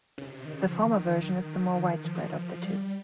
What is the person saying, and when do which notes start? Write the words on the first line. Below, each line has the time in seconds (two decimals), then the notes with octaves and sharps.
The former version is the more widespread of the two.
0.18 C#3
0.24 C3
0.45 D#3
0.53 C#3
0.69 F3
0.83 D#3
2.05 F3
2.15 F3
2.25 D#3
2.35 F3
2.65 G3